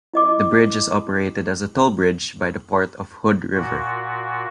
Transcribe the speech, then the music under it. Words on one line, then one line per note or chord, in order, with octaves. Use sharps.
The bridge is operated as a toll bridge by the Port of Hood River.
E4 D#5 D6
A#2 F#4